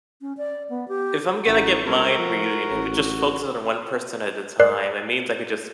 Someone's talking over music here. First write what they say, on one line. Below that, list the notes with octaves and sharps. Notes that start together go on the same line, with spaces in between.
if I'm gonna get mind reading, if it just focuses on one person at a time, it means I could just
C#4
D5
B3
G4
A1 D#4 F#5 C#6
C#2 A3 A4 A#4 C#5
F3 F#4
A1
A#4 D5 F#6 C7